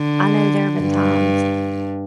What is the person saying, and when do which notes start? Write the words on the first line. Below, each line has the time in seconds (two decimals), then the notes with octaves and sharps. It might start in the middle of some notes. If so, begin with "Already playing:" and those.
I know there have been times
Already playing: D3
0.82 G2